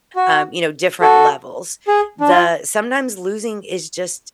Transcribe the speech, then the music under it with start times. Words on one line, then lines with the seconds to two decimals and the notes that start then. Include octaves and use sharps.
uh, you know, different levels. The sometimes losing is just
0.16 F#4
1.01 F#4 A4
1.88 G#4
2.21 D4
2.30 F4